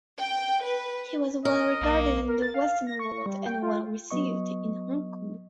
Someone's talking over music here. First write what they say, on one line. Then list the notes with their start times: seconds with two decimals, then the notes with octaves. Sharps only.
He was well regarded in the Western world and well received in Hong Kong.
0.18 G5
0.65 B4
1.45 A#4 D#5
1.81 B1 A#3
2.28 A#4
2.42 A6
2.54 F5
2.87 A#6
2.99 C#6
3.26 G3
3.46 G5
3.62 F4
4.10 F#3 B3 D#5 C#6